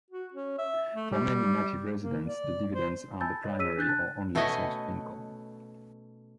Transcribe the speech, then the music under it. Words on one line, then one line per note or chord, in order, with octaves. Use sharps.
For many native residents the dividends are the primary, or only, source of income.
F#4
C#4
E5
A3
G3
A#3
D5
C5
G#5 A5 B5 E6 G6 A6
C#5 D#5
G#4 E6 B6 D#7
D4 F#6 G6 A6
A5 F#6
B2 A3 C#4 B4 D#5 G#5